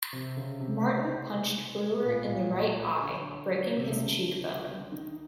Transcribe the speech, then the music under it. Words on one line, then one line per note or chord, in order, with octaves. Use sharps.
Martin punched Brewer in the right eye, breaking his cheekbone.
C3
C#3
C3
A#2
A#2
D3
C3
C#3
D3
D#3